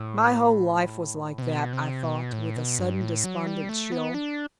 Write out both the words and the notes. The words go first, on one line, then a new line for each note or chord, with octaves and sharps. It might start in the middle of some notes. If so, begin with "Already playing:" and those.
My whole life was like that, I thought, with a sudden despondent chill.
Already playing: A2
C3
B2
C3
B2
A2
B2
G2
A2
F#3
G3
A3
B3
D4